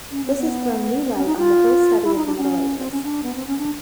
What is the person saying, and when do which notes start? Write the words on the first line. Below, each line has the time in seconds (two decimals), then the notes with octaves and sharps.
This has thrown new light on the whole study of the Middle Ages.
0.11 C#4
0.24 C4
0.38 B3
1.04 C4
1.15 C#4
1.26 D#4
1.37 F4
2.04 E4
2.15 D#4
2.26 D4
2.37 C#4
2.78 C4
2.91 C#4
3.03 D4
3.23 B3
3.35 C4
3.47 C#4
3.59 D4